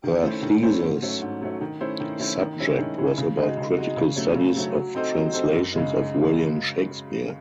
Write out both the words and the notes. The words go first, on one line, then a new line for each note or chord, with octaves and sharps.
Her thesis subject was about critical studies of translations of William Shakespeare.
D#3
A3 C#4 E4 C5
D#3
A3 C#4 E4 C5
G#2
F#3 A3 C#4
G#2
F#3 A3 C#4
D#3
A3 C#4 E4 C5
D#3
A3 C#4 E4 C5
D#3
G#3 C#4 E4
D#3
G#3 C#4 E4
C#3
G#3 D#4 F#4
C#3
G#3 D#4 F#4
C#3
F#3 A3 C#4
C#3
F#3 A3 C#4
F#3
C4 D#4 A4 C5
F#3
C4 D#4 A4 C5
F#2
C#3 G#3 D#4